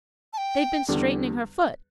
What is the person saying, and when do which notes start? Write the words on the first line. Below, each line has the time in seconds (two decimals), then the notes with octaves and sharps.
They've been straightening her foot.
0.33 A5
0.38 G5
0.88 E2 D3 G3 D4